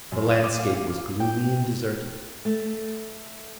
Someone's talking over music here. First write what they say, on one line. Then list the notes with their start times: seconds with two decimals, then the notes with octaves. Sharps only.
The landscape was gloomy and deserted.
0.12 F#2
0.31 D#7
0.44 D6
0.59 F5
0.75 F5
1.20 G5
2.45 A3